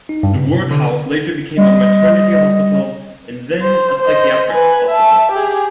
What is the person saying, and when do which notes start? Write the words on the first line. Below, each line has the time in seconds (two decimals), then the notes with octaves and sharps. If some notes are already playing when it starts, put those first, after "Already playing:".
The workhouse later became a maternity hospital and then a psychiatric hospital.
0.09 D#4
0.23 G2
0.36 C#3
0.52 C3
0.71 D3
1.57 G3 D#5
3.62 C5
4.01 C5 D#5
4.49 B4 G#5
4.89 E5 A5
5.31 G4 G#4